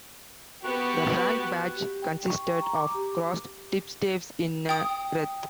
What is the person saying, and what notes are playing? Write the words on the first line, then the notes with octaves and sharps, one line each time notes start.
The rank badge consisted of crossed tipstaves in a wreath.
B3 F#4 G4
G4
G5
C#6
A#5
D6
G4
G5 D#6